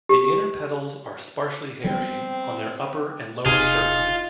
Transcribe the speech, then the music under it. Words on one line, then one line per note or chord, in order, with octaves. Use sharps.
The inner petals are sparsely hairy on their upper and lower surfaces.
G4
F3 G3 B3 C4
E1 C3 D#4 F4 G#4